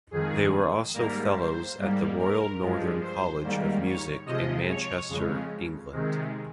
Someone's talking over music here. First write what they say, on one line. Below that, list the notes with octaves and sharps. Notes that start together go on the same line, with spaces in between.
They were also Fellows at the Royal Northern College of Music in Manchester, England.
F2 D#3 G#3 G#4
G#2 G3 A#3 A#4
C5
G#2 G3 A#3
A#4
G2 F3 G#3
C5
G#2 D#3 G3 A#3
C#5
C3 F3 G#3 D#5
C#5
F2 C#3 G#3
C3 D#3 G#3